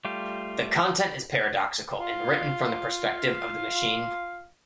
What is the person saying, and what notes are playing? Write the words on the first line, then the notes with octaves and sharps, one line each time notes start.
The content is paradoxical and written from the perspective of the machine.
G3 A3 F4 G4
F4 F5